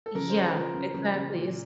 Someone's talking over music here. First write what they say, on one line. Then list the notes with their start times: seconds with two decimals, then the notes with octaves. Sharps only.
Yeah. Exactly, it's
0.06 A4
0.15 C#3 A#4
0.30 C5
0.35 C#3
0.45 B4
0.55 F3 A#4
0.74 C#3
0.94 C#3
1.15 C#3
1.35 A#2